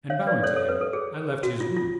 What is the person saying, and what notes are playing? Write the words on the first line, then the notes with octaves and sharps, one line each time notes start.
And bowing to him I left his room.
C#5 F5
B4 D5
A4 C#5
A4 C#5
B4
A4
G#4
F#4
F4
F4